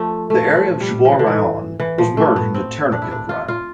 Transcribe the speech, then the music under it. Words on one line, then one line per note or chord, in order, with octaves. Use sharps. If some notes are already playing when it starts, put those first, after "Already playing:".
The area of Zboriv Raion was merged into Ternopil Raion.
Already playing: F3 A3
A3
F3
G3
F3
E3
D3
E3
E3
F3
A3
B3
C4
D4
E4
D4
F4
F4